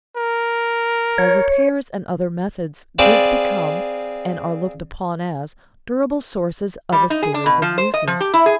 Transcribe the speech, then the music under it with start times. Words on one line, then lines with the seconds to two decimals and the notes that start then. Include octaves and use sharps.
By repairs and other methods goods become, and are looked upon as, durable sources of a series of uses.
0.17 A#4
1.18 C#5
2.99 C4 G#4 B4 D5 F5 A5
6.92 G3
7.10 D#4
7.23 G#4
7.34 D4
7.46 B2
7.62 F3
7.78 C5
7.94 D#5
8.07 F3
8.20 G4
8.34 E4
8.46 G#4